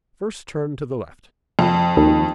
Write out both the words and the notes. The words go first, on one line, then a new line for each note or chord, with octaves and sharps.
First turn to the left.
F2
D#2